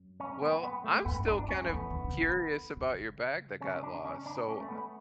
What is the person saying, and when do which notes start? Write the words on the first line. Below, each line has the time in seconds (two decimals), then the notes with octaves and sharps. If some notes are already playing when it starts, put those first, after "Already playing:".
Well, I'm still kind of curious about your bag that got lost, so, eh
Already playing: F#2
0.20 C#4
0.42 B3
0.63 B3
0.84 A3
1.05 G2 B3
1.26 E3 D4
1.44 D4
1.48 G3 C#4
1.63 A3
1.69 E3 B3
1.90 D3
2.04 C#3
2.18 D3
2.77 C#3
3.61 C#4
3.83 D4
4.05 C#4
4.26 D4
4.48 C#4
4.60 A3
4.68 B3